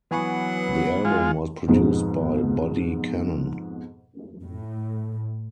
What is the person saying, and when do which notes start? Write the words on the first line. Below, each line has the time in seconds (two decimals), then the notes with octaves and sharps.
The album was produced by Buddy Cannon.
0.11 E3 F#3 B3 F#5 G#5 C#6
1.05 G#3 F4
1.68 F2 G#2 B2
4.42 A2